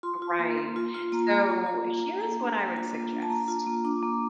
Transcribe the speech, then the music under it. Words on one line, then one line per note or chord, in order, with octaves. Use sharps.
Right, so, here is what I would suggest,
F4 C6
F4
A#3
A#3
F4
F4
A#3 A#5
A#3
F4
F4
A#3
A#3
A#3 A#5
D4
A#3
F4
A#3
D4
A5
A#3 A#5
F4
A#3
D4 D6
A#3